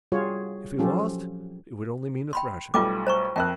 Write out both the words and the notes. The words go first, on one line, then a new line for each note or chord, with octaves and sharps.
If he lost, it would only mean a thrashing.
G3 F4 F#4 G#4 C#5
F3 F#3 C#4 F4 G4 A4
G5 B5 C6
B1 G3 A3 F4 G5 D6
C5 A#5 C#6
F2 A#4 E5 G5 F#6